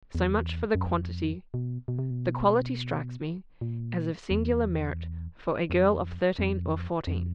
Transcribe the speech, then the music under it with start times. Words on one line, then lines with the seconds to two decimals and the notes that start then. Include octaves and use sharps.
So much for the quantity; the quality strikes me as of singular merit for a girl of thirteen or fourteen.
0.15 E2
0.75 F#2
0.85 F2
1.54 B2
1.88 B2
1.99 C3
2.10 B2
3.61 A#2
4.31 E2
5.70 F2
6.39 F2
7.07 F2